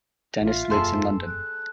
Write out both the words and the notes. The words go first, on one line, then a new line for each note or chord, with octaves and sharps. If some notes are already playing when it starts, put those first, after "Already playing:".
Dennis lives in London.
A1 A#3 F4 E5
E1 F#2 A#3 G#4 A4 C6
F#6